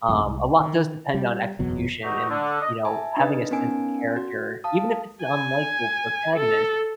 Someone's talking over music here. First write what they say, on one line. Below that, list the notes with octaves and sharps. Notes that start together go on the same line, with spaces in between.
Um, a lot does depend on execution, and, you know, having a sense of character, even if it's an unlikeable protagonist.
A1 F#2 A2 C3
C2
D#3
G3
F#1 E2 B2 F#3
E2 A3 D#4 F#4 G4 C#6
D3
D#5
E5 G#5 A5
D4 D#4 B4 D#5
B3 C#4 D#4 A#4 G#5 D7
F#4
F5 A5 D#6
G#5
A4